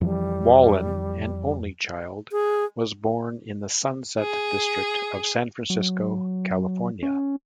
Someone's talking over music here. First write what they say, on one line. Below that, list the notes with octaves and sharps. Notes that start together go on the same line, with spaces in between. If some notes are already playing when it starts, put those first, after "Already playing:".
Whalin, an only child, was born in the Sunset District of San Francisco, California.
F2 E3 F3 G3
G#4
G#4
F#3
C#4